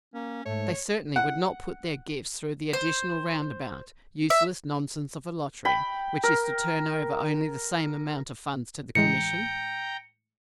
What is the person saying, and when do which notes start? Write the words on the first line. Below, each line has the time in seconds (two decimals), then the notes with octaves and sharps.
They certainly would not put their gifts through the additional roundabout, useless nonsense of a lottery, which is to turn over only the same amount of funds to the Commission.
0.14 A#3 C#4
0.46 G#2 A3 C#5
1.16 F#5
2.73 C5
4.30 E5
5.65 G5 B5
6.23 A#4
8.95 A2 E3 G#3 G5 A#5 C#7